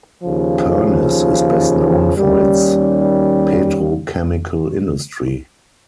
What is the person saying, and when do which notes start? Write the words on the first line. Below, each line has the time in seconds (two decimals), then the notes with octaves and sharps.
Pernis is best known for its petrochemical industry.
0.23 D#2 C#3 F3
2.15 D#2 D#3 G3 C#4